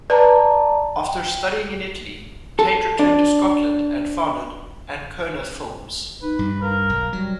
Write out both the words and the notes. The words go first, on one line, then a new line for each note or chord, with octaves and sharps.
After studying in Italy, Tait returned to Scotland and founded Ancona Films.
B4 D5 A5 A#5
G5
A4
D4
D#4 B4
G2
A#4 F5
B1
F#3 G3